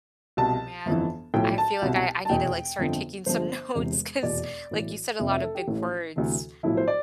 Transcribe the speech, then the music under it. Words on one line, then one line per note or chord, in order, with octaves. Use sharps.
Oh man, I feel like I I need to, like, start taking some notes 'cause like you said a lotta big words,
C2 B2 A5
G1 F2 E3
B1 A2 F3 G5
A5
C2 B2
A5
F1 E2 B2 G5
G1 F2 D3
G1 G2 D3 F3 C5
E1 E2 C3 E3
F1 E2 B2 D5
B1 A2 E3
F1 F2 C3 E5
E5
A4
G4
A1 A2 E3
D2 C3 E3
B1 A2 F3 E4
C5
D5